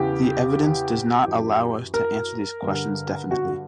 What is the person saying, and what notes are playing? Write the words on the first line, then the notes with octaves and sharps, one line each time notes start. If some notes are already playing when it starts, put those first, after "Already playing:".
The evidence does not allow us to answer these questions definitely.
Already playing: E2 C#3 E3 G4
F#2 E3
A#4
G2 D3
F#4